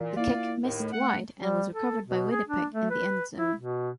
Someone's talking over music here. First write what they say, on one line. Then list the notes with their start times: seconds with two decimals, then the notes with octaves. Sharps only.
The kick missed wide, and was recovered by Winnipeg in the end zone.
0.01 A#2 E3
0.17 A#3 E4 F4 D5
0.64 D#2 A2
0.80 A3
0.92 F#5
1.40 G3
1.73 A4
2.07 B2
2.31 G#4
2.47 D4
2.73 A3
2.90 B4
3.37 E4
3.59 B2